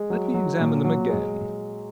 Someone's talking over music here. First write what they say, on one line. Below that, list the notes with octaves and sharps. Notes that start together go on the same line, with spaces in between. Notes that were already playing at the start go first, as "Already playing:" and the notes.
Let me examine them again.
Already playing: G#3
F#3
F#3
A#2
F#3
G#3